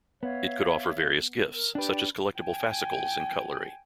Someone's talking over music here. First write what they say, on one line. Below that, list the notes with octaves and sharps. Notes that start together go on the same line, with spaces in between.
It could offer various gifts, such as collectible fascicles and cutlery.
B3 C#5 E5 F5
A#4
D4 G4 B4 D5 G5
G5 G#5